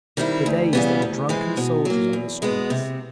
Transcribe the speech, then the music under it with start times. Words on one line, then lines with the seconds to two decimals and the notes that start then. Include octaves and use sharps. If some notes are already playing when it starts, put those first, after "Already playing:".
For days there were drunken soldiers on the streets....
0.17 D#3 G3 C4 E4
0.46 D2
0.73 C#3 E3 G3 B3
1.02 D2
1.29 C3 E3 G#3 C4
1.57 B2
1.85 F#3 A#3
2.13 E2
2.42 B2 G#3 B3
2.70 C3